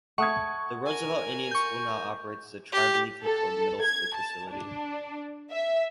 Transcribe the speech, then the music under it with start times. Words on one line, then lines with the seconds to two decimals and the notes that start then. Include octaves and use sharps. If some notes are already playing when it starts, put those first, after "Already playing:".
The Roosevelt Indian School now operates as a tribally controlled middle-school facility.
0.18 A3 F#5 C#6 D#6 G#6
0.86 A#4 G#5
1.51 C#6 G6
2.72 G4
3.22 A4
3.84 G#6
4.16 A5
4.49 D4
5.51 E5